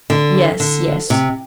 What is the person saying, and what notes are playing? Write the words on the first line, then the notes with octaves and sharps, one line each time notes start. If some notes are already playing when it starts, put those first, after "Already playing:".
"Yes, yes."
D3
D3
C3